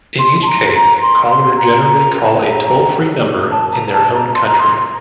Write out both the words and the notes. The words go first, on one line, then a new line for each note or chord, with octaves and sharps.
In each case, callers generally call a toll-free number in their own country.
C6
A5
A#5
A#5
C6
C6
A#5
A5
A#5
A5
A#5
C6
A#5
C6